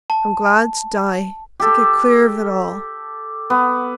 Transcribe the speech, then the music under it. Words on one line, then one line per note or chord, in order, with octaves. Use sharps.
I'm glad to die--to get clear of it all.
A5
G4 A4
B3